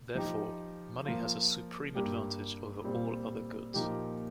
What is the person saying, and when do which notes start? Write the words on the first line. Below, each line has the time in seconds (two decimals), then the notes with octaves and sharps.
Therefore, money has a supreme advantage over all other goods.
0.15 F3 D#4 G4
1.05 F3 A#3 F4
1.95 G2 G3 A#3 G4
2.84 A#2 G3 C4
3.74 A#2 F3 A#3 D#4 G4